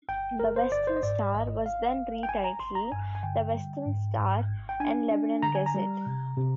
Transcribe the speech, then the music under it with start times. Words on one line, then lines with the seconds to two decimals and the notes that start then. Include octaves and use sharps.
"The Western Star" was then retitled "The Western Star and Lebanon Gazette".
0.09 G1 G5
0.39 G1 A#4
0.56 C5
0.72 G1 D5
0.87 C5
0.96 D#5
1.03 G#2 D5
1.34 G#1 D#5
1.66 G#1 F5
1.97 G#1
2.23 G5
2.28 G1 G#5
2.44 A#5
2.60 G1 C6
2.75 A#5
2.92 G2 G#5
3.15 G#5
3.23 D3 G5
3.55 G3
3.86 G#2
4.18 G#2
4.49 G#1
4.69 G5
4.80 D4 G#5
5.11 D4
5.42 D3 A#5
5.55 G#5
5.66 A#5
5.75 G3
6.06 C3
6.37 C3